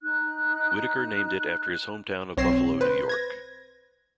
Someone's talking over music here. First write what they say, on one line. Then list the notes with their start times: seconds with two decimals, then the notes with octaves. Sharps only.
Whittacker named it after his hometown of Buffalo, New York.
0.01 D#4 F#6
2.37 B1 C4 C#5 A#6 C7 E7
2.81 B4 C5
3.09 G#6 A#6